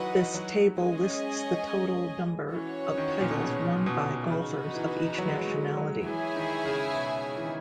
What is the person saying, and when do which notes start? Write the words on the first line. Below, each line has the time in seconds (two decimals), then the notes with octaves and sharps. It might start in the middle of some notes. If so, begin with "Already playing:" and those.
This table lists the total number of titles won by golfers of each nationality.
Already playing: D#3 E3 F#3 F#4 B4 D#5 F#5
0.34 F#3
0.78 G#3 C#4 G#4 D#5 G#5
2.54 E3 C#4 F#4 C#5
2.98 D#3
3.21 A#2
3.31 B2
3.42 C#3
3.86 B2
4.30 C#3 D#4 F#4 B4
4.74 E3
5.18 F#3
5.28 G#3
5.37 F#3
5.48 G#3
5.77 F#3
6.06 E3 E4 G#4 C#5 E5 G#5
6.36 D#3
6.66 C#3
6.94 B2
7.36 E3
7.44 D#3